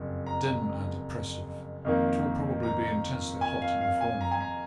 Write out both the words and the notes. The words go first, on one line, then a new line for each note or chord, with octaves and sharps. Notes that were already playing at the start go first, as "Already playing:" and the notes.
'Dim and oppressive; it will probably be intensely hot in the forenoon.'
Already playing: F#1 F2
A#5
F2 D#3 A#3
A#5
G#5
F5
F5
G#5
A#5
G#5
A#5